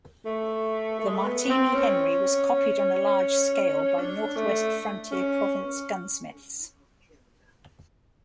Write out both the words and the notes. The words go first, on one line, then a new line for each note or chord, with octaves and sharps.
The Martini-Henry was copied on a large scale by North-West Frontier Province gunsmiths.
A3
A3
G#3
A3
B3
C4
C#4
D4
A3
C#4